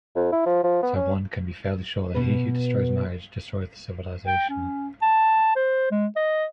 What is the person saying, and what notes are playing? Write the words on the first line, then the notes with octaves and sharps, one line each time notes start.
So one can be fairly sure that he who destroys marriage destroys the civilization.
F2
E4
F3
F3
B3
C#4
B2 B4
G5
C#4
A5
C5
G#3
D#5